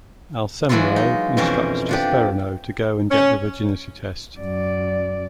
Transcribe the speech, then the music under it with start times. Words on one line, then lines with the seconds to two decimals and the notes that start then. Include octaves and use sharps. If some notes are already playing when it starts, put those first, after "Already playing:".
Alsemero instructs Jasperino to go and get the virginity test.
0.69 E3 F#3 G#3 A#3 E4 F4
0.96 D#4
1.37 F2 B2 E3 C#4 A#4 C5
1.89 F3 D4 G4
3.10 C#4
4.39 F#2 D5